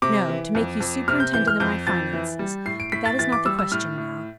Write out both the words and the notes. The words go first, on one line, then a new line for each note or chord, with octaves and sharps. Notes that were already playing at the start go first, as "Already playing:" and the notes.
"No; to make you superintendent of my finances; but that is not the question now."
C3 D6
E3
F2
F2
C3 F6
G6
E3 G6
F6
F2 G6
F2 A6
E3
G3
A2 C7
D7
A2 B6
A6
E3 A6
D6
G3 E6
E6
A2 F6
A2